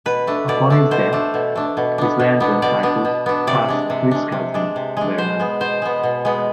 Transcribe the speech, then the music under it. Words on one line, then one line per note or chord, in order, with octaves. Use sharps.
Upon his death, his lands and titles passed to his cousin, Bernard.
B2 B4
A3 D4
B2 D5
A3 D4
B2 C5
A3 D4
B2
A3 D4
B2
B3 D4
B2
B3 D4
B2 D5
B3 D4
B2
B3 D4
C3 D5
G#3 D4
C3
G#3 D4
C3
G#3 D4
C3
G#3 D4
B2 C5
G#3 B3
B2 C5
G#3 B3
B2
G#3 B3